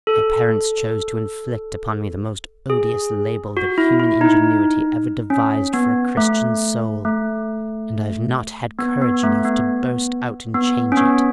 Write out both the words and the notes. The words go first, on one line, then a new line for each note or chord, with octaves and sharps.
My parents chose to inflict upon me the most odious label that human ingenuity ever devised for a Christian soul; and I've not had courage enough to burst out and change it.'
A4
G#4
F#4
E4
E4
D#4
C#4
B3
A3
A3
B3
B3
A3
B3
B3
C#4
B3